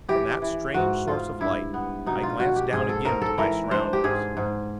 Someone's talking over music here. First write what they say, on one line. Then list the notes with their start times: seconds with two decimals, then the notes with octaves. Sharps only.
From that strange source of light, I glanced down again to my surroundings.
0.08 E3 G4
0.42 E3
0.74 G#2 F#4
1.08 G#2 F4
1.41 G2 E4
1.74 B3
2.06 B2 D#4
2.23 F4
2.40 B2 F#4
2.56 G4
2.73 G#2 G#4
2.89 A4
3.05 G#2 A#4
3.22 A4
3.38 E3 A#4
3.71 D4 C5
3.93 G4
4.04 G#2 G#4
4.37 G#2